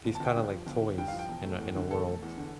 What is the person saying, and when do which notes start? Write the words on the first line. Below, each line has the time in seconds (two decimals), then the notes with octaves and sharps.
these kinda, like, toys in a in a world,
0.05 G1
0.15 A5
0.20 G1 G5
0.36 G2
0.51 F3
0.67 G1
0.82 G1
0.98 G2 G5
1.08 F5
1.13 F3
1.19 G5
1.29 E1
1.44 A3
1.60 E2
1.76 D3
1.91 E1 A4
2.07 A3
2.22 E2
2.38 D3